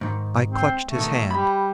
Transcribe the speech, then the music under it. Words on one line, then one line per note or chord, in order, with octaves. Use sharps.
I clutched his hand.
G#2 D#3
C4
A3
B2 D#3
G3 B5